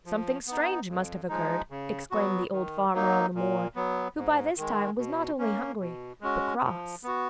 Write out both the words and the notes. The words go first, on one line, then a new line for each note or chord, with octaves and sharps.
'Something strange must have occurred,' exclaimed the old farmer on the moor, who by this time was not only hungry, but cross.
F3
B3 D#4
F2
F3 G#3 D#4
C#3
F#3 B3 F#4
D#3
F#3 A#3 D#4
A#2
F#3 B3
G#2
D#3 G#3
B2
A#3 C#4
B2
G#3 C#4 F#4
F3
B3 F#4